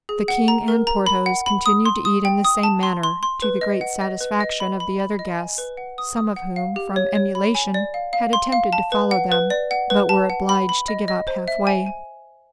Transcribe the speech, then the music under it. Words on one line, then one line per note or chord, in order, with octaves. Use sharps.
The king and Porthos continued to eat in the same manner, to the great satisfaction of the other guests, some of whom, from emulation, had attempted to follow them, but were obliged to give up half-way.
G#4
F#5
A#5
A#4
A#5
B5
F#5
B5
D#6
C6
D#6
G5
D#6
A5
C6
C6
C6
B4
D#5
F#5
D#5
B4
D#5
B5
B5
B5
D#5
G#5
B4
F#5
D#6
D#6
F#5
F5
G4
C#5
C#5
B5
G#5
D5
F5
F5
C6
F5
A5
B4
F#5
B4
D5
F#5
B4
A5
F#5
B5
B5
D#5
D#5
C5
E5
G#5
G#5